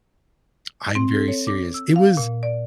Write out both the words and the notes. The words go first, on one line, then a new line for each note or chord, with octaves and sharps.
I'm very serious. It was
C4
A4
C#5
D6
E6
F5
A#2
D5